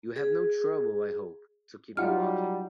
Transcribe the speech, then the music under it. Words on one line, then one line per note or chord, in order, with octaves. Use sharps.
You have no trouble, I hope, to keep you waking?
G#4
F#3 G3 D#4 F4 F#5 F6